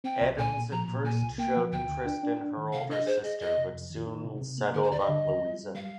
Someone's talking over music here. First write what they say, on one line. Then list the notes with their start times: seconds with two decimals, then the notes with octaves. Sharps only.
Adams at first showed interest in her older sister but soon settled on Louisa.
0.04 C4 G5
0.21 C2
0.38 A#2 G#5
0.55 A#2
0.71 F3 A#5
0.88 A#2
1.05 A#2 G#5
1.23 C2
1.38 A#3 G5
1.56 F3
1.72 D2 G5
1.89 D2
2.06 D4
2.23 D4
2.40 D4
2.57 D#3
2.73 C3 F5
2.90 D4 D#5
3.06 G#4 C5
3.24 G#4 D#5
3.40 F2 D#5
3.57 C3
3.74 F2
3.91 D#3
4.07 D#4
4.24 C3
4.41 C3
4.58 A#3
4.74 D3 A#4
4.83 C5
4.91 D#2 D5
4.99 D#5
5.09 D3
5.24 D#2
5.41 G3
5.59 G3
5.75 G3 F5